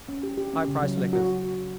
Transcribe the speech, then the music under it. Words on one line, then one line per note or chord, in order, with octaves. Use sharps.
High-priced liquors.
C#4
G4
G4
C#4
C#3
F#3
F#3
F#4
F#4